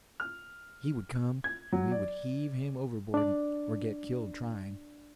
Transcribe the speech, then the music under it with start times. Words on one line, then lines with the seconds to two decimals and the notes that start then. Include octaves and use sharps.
He would come, and we would heave him overboard, or get killed trying.
0.20 F6
1.44 G#6
1.72 F#3
1.92 D5
3.14 D4 D5